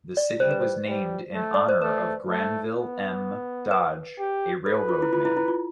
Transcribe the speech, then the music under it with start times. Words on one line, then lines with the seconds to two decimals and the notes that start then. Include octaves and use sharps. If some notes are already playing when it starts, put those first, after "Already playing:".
The city was named in honor of Granville M. Dodge, a railroad man.
0.17 D5
0.40 G3 C5
0.51 B4
0.61 C5
0.87 G3
1.34 A3
1.54 D5
1.69 C5
1.81 A3 B4
2.29 A3
2.76 B3
3.71 B4
4.19 G4
4.65 A4 B4
4.89 F4
5.02 E4
5.13 F4
5.25 E4
5.37 E4
5.48 F4